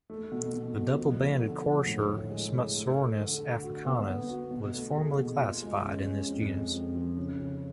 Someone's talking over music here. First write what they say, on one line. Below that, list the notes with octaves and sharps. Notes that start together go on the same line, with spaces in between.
The Double-banded courser, "Smutsornis africanus", was formerly classified in this genus.
A3
B2
B2
B2
F3
A3
D3
F3
A2
A2
G#3
G#4
A3
A3
D3
D3
F#4
B3
B3
F#4
B2
A3
G#4
B2
F4
G#3
C#4
G#3
F2
G#3
F2
F3
C#3
C#3